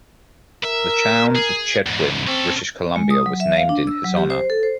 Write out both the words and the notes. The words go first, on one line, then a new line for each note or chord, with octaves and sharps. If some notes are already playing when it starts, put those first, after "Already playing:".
The town of Chetwynd, British Columbia was named in his honor.
A#4 E5
G#4
E2 G#2
C4 C#4 A4
G#3
D#6
F#3
E5
F5
D4
E6
F#3
G4
C5
A4
C5